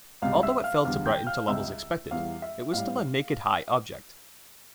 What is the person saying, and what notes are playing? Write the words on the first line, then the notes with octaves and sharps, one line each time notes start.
Although it failed to brighten to levels expected, it was still a naked-eye object.
C#2 C#3 G3 F5
E5 E6
F5 F6
E2 D3 G3 F5 F6
G5 G6
F5 F6
C#2 C#3 G3 E5 E6
E2 E3 G3 F5
E5
A2 G3 F5